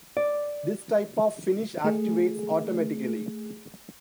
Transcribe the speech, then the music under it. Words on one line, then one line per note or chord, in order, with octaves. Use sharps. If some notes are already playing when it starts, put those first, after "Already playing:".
This type of finish activates automatically.
D5
A3 G#4